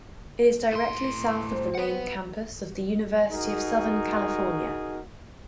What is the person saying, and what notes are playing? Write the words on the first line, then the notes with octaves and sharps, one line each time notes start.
It is directly south of the main campus of the University of Southern California.
A2 C6
C4
B4 F#5
D#4 F#4 G#4 A#4